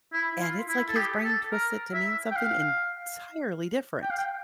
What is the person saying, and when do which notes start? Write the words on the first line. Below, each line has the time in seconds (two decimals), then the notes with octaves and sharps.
and it's, like, his brain twisted to mean something entirely different.
0.13 E4
0.41 F4
0.68 E4
0.89 A4
0.96 G4
1.24 A4
1.52 A#4
1.94 E5
2.31 G5
2.36 F5
4.02 G5
4.10 F5
4.17 G5